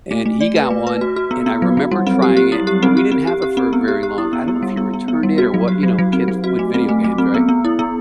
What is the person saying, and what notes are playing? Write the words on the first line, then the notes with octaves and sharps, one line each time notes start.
and he got one, and I remember trying it, but we didn't have it for very long. I don't know if he returned it or what, you know, kids with video games, right?
A3
A3
D5
B4
A3
B4
F#4
F#4
B3
B3
F#3
F#3
G3
C4
G4
G4
E4
G4
C4
G4
C4
G4
G4
C4
B3
G4
G4
E4
B3
B3
G3
B3
B3
B3
G3
F#4
F#3
G4
F#3
F#3
C4
F#3
F#4
A3
C4
A3
A3
C4
B3
B3
E4
B3